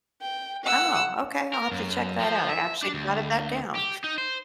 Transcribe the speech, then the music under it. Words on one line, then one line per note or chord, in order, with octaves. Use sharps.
Oh, okay. I'll have to check that out. I actually jotted that down.
G5
F#5 E6
A#4
F#2
F3
E5
D4
D2
G4
D#4
C5